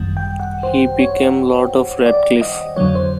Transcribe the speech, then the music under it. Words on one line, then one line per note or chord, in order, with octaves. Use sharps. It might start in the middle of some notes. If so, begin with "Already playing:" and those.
He became Lord of Radcliffe.
Already playing: G#1 F#2 D#3 G3
G5
F#5
C5
C#5
D5
D#5
F2 D3 F#3 C#5
C5